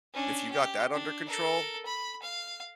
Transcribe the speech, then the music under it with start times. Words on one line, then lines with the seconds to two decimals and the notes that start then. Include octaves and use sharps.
if you got that under control
0.14 C#4 D4
0.52 G4
0.93 D4
1.27 A4 A#4
1.85 B5
2.22 F5